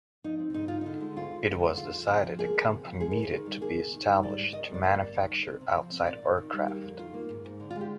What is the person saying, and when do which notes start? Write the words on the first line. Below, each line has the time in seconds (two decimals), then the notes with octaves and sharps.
It was decided a company needed to be established to manufacture outsized aircraft.
0.24 F3 D#4
0.39 C4
0.54 G#2 D#4
0.68 G#2 F4
0.81 D3 D#4
1.00 G#3
1.16 D2 F4
1.31 D2
1.47 D3
1.62 G#3
1.77 F2 F4
1.93 F2
2.08 C3
2.24 F3
2.39 A#3 G#4
2.54 D2
2.70 C3
2.85 F3
3.00 G#3 G#4
3.11 D2 A#4
3.22 G#4
3.31 D#3
3.46 G3
3.61 A#3 G#4
3.77 C3
3.92 D#3
4.07 G3
4.23 G#2 D5
4.38 G#2
4.53 D#3 D#5
4.69 G3 D5
4.84 A#3 D5
4.99 G2
5.15 D#3
5.30 G3
5.45 C4
5.61 C3
5.76 F3
5.91 C4
6.07 A#2 D5
6.22 A#2
6.37 D#3
6.53 G3
6.68 A#3 G4
6.83 F2
6.99 D#3 F4
7.14 A#3
7.30 G#2
7.45 G#2
7.60 D3
7.71 F4
7.76 G#3
7.81 G4